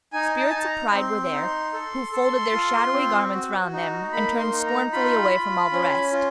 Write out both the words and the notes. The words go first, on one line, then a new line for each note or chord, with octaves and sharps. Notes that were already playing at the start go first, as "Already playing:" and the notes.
Spirits of Pride were there, who folded their shadowy garments round them, and turned scornfully away from all the rest.
D#4 G#5
A5
D#4 G#5
A5
A#5
C4 C6
D#4
A4
A4
F4
C4
F#4
D#4
A#3 B5
C6
D#4
A#5
F4 B5
F4
C#4
F4